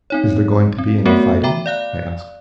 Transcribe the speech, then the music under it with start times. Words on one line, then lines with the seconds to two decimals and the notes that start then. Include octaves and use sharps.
"Is there going to be any fighting?" I asked.
0.10 C4 D#4 C#5
0.78 C4
1.05 A3 B3 F#4 A#4 C#5 F#5
1.44 E5 G5 A#5 B5 D6
1.66 D5 F5 F#6